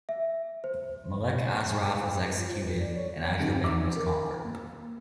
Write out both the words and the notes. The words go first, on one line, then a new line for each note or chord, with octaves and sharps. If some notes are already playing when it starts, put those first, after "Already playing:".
Malek Asraf was executed, and Azerbaijan was conquered.
E5
C5
B4
F4
C5
B4
D5
C#5
G#1
D6
A#4
A#3